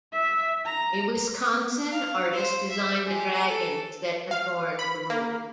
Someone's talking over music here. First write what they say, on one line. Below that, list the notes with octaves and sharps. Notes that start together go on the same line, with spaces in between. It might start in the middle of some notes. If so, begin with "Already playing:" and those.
A Wisconsin artist designed the dragons that adorn the roof.
E5
A#5
F5
C5
E5
G#3 G4
A4
F5
B5
A#3